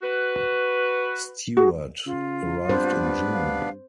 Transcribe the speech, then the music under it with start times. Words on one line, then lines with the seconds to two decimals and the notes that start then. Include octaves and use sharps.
Stewart arrived in June.
0.02 F#4 B4
1.57 F#4 G#4
2.06 C#3 F4
2.69 G2 B3 D4 B4 C5
3.32 F5